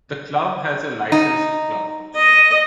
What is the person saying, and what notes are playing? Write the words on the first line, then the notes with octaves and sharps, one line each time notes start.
The club has a licensed clubhouse.
D#4
D#5